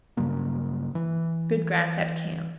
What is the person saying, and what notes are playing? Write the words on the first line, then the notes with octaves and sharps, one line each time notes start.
Good grass at camp.
G2 C#3 F#3 A#3
E3